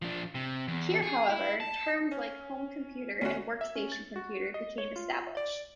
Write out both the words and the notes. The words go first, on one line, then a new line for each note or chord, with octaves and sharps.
Here however, terms like home computer and workstation computer became established.
F3 D4
C3
E2
G#4
E4
A5
C#4
D2 C#4 F#4
E5
C#4
A6
F#4
D#5
C#5
F4
D5